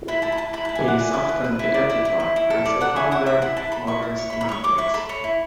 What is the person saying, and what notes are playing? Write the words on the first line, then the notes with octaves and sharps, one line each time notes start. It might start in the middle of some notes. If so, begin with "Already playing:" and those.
He is often identified as a founder of modern semantics.
E4 B5
E4 A5
B5
E4 A5
E4 B5
A5
E4
G#5
D5 F#5
E4 G#5
E4
B4
B4
E4
D5
E4
E4
E4
E4
A4
D5
A4 F#5
E4 G#5
E4 F#5
E4 E5
E4 F#5
E4 A5
A4 B5
E4 C#6
E4
C#5 C#6
B5
E4
B5
C#5 C#6
C#5 D6
E4 C#6
A4 B5
C#5
E4